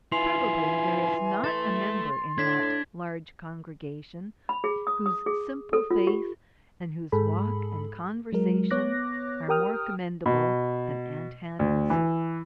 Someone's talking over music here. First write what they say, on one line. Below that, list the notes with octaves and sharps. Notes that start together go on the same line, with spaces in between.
Probably there is not a member in that large congregation whose simple faith and whose walk and conversation are more commendable than Aunt Hannah's.
E3 E4 F4 G#5 C6 C7 F7
A4 E5 C6 A6
A2 D4 G#6 B6
B5
G#4
D#6
D#6
G#4
A4
F4
G4
G#2 G#4 A4 B5
F#3 G#3 A#4
B3 C#5 D6 F#6 A#6
G4 A#4 G5 D#6 F6
B2
D2
E3